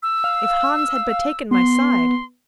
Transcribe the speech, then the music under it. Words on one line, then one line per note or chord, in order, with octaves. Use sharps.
If Hans had but taken my side!
E6
F5
B3 C6